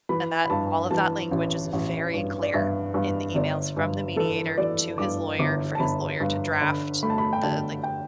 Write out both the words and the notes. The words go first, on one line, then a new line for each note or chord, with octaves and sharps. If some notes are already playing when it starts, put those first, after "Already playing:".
And that all of that language is very clear in the emails from the mediator to his lawyer, for his lawyer to draft the, like,
E3 B5
B5
G2 A5
E3 A5
A1
A1
G2
D5
G2 E5
G2
G1 D5
G2
E3 A4
E3 D5
G2 D6
G1 D6
A5
G1 B5
G2
D3 B5
A3 B5
A5
B5
G5
D3 A5
G5